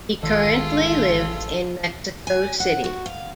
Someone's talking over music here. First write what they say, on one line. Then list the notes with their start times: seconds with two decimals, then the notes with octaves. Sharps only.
He currently lives in Mexico City.
0.23 A1 G#2 D#3 F4 G#4 A4
2.27 G#5
2.60 F#5
2.84 F#4
3.06 F5